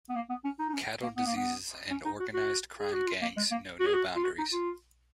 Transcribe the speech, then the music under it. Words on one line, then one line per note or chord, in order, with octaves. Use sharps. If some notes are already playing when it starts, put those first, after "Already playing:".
Cattle diseases and organised-crime gangs know no boundaries.
B3
A#3
B3
C#4
D#4
D#4
C#4
A#3
B3
A#3
B3
C#4
D#4
F#4
F#4
G#4
F#4
F4
A#3
G#3
A#3
F#4
G#4
F#4
F4
F#4
D#4
F4